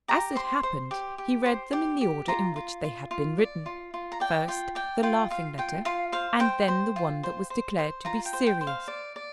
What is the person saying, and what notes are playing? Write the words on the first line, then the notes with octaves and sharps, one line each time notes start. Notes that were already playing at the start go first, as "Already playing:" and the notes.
As it happened he read them in the order in which they had been written, first the laughing letter, and then the one that was declared to be serious.
G4 A#5
C5 C6
C5
G4
G4
C5
G4
G4
F4 A#5
F4
F4
F4
D5
F4
F4
A#5
D5 G5
F4 G5
D5 G5
F4 G5
F4 F5
F4 G5
F4 F5
C5 F5
C5 G5
C5
F4
C5
C5
C5
F4 A#5
G5
C5
G5
C5
F5
D5
D5